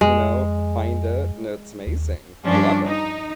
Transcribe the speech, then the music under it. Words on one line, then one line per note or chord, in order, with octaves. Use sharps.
you know, find it, and it's amazing. I love it.
F2 G#3
D#2
G2 F3 C#4 D4
D#4